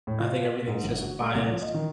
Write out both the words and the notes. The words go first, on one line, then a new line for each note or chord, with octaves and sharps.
I think everything's just a bias.
A2
F4
B6
G#2
G1
F#4
A3
C2
F3
D#5
D#3